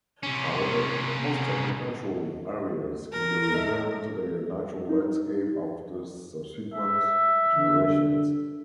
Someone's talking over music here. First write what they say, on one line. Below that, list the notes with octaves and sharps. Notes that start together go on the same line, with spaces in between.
However, most agricultural areas can be returned to their natural landscape after subsequent generations.
C3 C#4
A#4
A4 D#5 E5
D#4
E5
D3